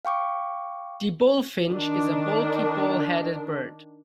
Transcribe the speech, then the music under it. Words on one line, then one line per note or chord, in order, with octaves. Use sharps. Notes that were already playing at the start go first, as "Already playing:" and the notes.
The bullfinch is a bulky bull-headed bird.
F5 G5 C#6 D6
D#3 D4